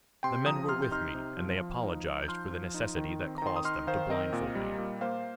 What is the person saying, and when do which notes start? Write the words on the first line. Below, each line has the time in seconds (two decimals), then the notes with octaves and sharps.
The men were with me, and they apologized for the necessity that caused them to blindfold me.
0.23 C3 G5 C6
0.46 F3 A#5 D#6
0.68 C3 C6 F6
0.82 G6
0.91 D#4 C6 F6
1.15 C3
1.37 F3
1.60 F3
1.83 D#4
2.06 D#4
2.22 G6
2.28 F3 C6 F6
2.51 F3
2.74 D#4
2.96 D#3
3.20 C4
3.38 A#5
3.42 D#3 C6
3.56 D#6
3.64 D#4 C6 F6
3.87 D#3 C5 F5
4.10 C4 A#4 D#5
4.33 A#2
4.55 G3
4.78 A#2
5.01 A#3 C5 F5